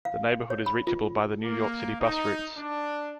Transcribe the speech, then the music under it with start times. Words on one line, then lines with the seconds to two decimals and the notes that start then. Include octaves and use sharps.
The neighborhood is reachable by the New York City Bus routes.
0.05 F5
0.50 C#5
0.66 B5
0.87 F4
1.44 A#3
2.00 D#4
2.58 D4